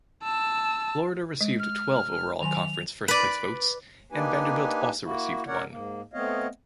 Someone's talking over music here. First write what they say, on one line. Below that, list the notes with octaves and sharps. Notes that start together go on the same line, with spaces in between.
Florida received twelve overall conference first place votes and Vanderbilt also received one.
A5 E6
G#3
F6
D#3 F#3 G#5 F7
B4 D5
A#3 D4 D#4 G4 B4 G#5
A#3 E4 F#4
C#4 A#4 C#5 D5 F#5
G#2 A#3
A3 B3 C4 C#5 D#5 F5